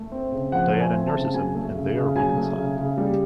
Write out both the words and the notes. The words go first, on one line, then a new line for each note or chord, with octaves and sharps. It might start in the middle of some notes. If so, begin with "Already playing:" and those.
Diana nurses him and they are reconciled.
Already playing: A3
C4
C#3
F3 F#5
A3
G#5
C4
A5
C#3
F#3 G#5
A3
C#3
C#3
F#3 G#5
A3
C#3
C#3
G3